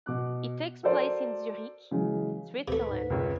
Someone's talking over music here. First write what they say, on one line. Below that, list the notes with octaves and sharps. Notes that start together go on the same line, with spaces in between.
It takes place in Zurich, Switzerland.
B2 D6 F#6
F#4 A4 A#4 C5 D5
C#3 E3 F#3 G#3
D2 C3 A3 B4
G#2
C#2 F#2 C#3